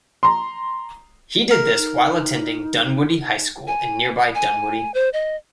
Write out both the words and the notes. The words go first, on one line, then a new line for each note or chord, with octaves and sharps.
He did this while attending Dunwoody High School in nearby Dunwoody.
A#5 C6
A#4
D#4
G#5
G#5
C5
D#5